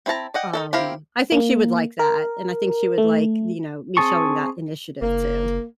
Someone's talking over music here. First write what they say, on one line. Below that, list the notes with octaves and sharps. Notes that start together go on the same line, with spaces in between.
um, I think she would like that, and I think she would like, you know, me showing that initiative too,
C4 E4 G#4 A5 A#5
D5 D#5 F#5 G5
D#4 E4 A4
C4 E4 G4 A#4 F5
A#3
A#4
A3
C4 G#4 A5 C#6
F#1 A#3